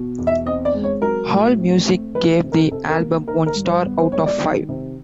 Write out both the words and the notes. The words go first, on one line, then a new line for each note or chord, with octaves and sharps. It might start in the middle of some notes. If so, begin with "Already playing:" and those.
Allmusic gave the album one star out of five.
Already playing: B2
E2
E5
C4 D#5
D5
G#3
C#5
F#3 A#4
A2
C4
A3
F3 B4
C3
A#4
C3 A4
A#4
A#3
D#3 A#4
A#4
G2
C5
B3
C5
G#3 C#5
D5
D#3
C3